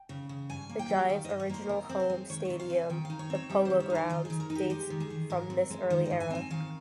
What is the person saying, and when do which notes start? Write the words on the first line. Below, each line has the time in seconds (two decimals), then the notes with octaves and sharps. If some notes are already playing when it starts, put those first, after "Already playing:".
The Giants' original home stadium, the Polo Grounds, dates from this early era.
Already playing: G5
0.09 C#3
0.29 C#3
0.49 G2 G#5
0.69 A#3
0.79 G5
0.90 G3
1.10 D#3 F5
1.25 G2 D#5
1.40 C#5
1.50 A#3 C5
1.69 C3 A#4
1.89 C4
2.00 C5
2.10 G#3
2.30 D#3 C#5
2.45 D#5
2.50 C3
2.60 F5
2.70 C4 G#5
2.90 D#3 G5
3.05 D#4 F5
3.19 C#5
3.30 C4 C#5
3.50 G3 C#5
3.65 D#3 C5
3.80 C#5
3.90 D#4
3.95 C5
4.10 D#3 D#5
4.25 D#3 G#4
4.40 A#4
4.50 D#4
4.55 G4
4.70 G#3 G4
4.90 D#3
5.00 G#4
5.10 D#3
5.30 G#2 A#4
5.50 C4
5.70 G#3
5.90 D#3 C5
6.06 G#2 D#5
6.20 G#5
6.30 C4 G#5
6.50 D#3 F5